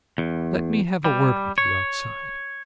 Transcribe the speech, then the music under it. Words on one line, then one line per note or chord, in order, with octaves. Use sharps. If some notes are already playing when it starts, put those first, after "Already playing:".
Let me have a word with you outside.'
E2
G3
C#5